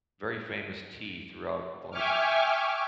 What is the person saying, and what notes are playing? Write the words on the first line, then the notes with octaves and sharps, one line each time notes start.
very famous tea throughout, like,
E5 G5 G#5 C#6 D6 F6